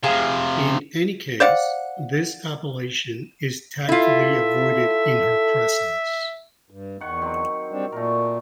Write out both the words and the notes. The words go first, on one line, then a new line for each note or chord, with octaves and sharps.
In any case, this appellation is tactfully avoided in her presence.
C3 F3 G#4 F5
C5 D5 F5 F#5
E4 F4 A4 E5
G2
E2 D#3 F#5 C#6
F#3 C4
G3 C4 D4
A#2 A3 A#4